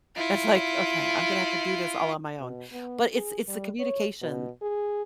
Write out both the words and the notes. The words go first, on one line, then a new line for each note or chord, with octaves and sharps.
It's like, okay, I'm gonna have to do this all on my own, but it's it's the communication
E4 F4
B2
B3
G#4
G3
C#5
B2
G#4